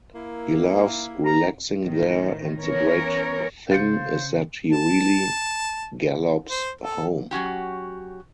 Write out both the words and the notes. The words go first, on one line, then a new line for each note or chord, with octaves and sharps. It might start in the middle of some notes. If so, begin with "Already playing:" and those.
He loves relaxing there and the great thing is that he really gallops home.
A#3 E4
A#5
A2 D#3
E3 B3 C#4 A#4 C#5
C#3 C5 F5 A6 C#7
A5
C5
A4
F#3 C#4 F#4 G4